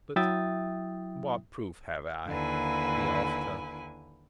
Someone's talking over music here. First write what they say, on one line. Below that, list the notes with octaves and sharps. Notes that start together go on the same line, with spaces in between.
But "What proof have I?" he asked her.
F#3 E4 E5 G5 D#6 A6
D#2 D3 A#3 E4 B4 G#5